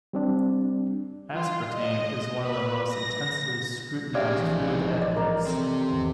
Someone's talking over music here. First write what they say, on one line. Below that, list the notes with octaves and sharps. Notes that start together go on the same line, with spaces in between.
Aspartame is one of the most intensively scrutinized food additives.
G3 C4 D4
F4
D#5
B4
A#6
C#4 D#4 G4 G#4 D5 E5 F5 D6
A#1 E3
D5 D#5
A#4 D5 A#5
C4 G4 A4
G#1 E2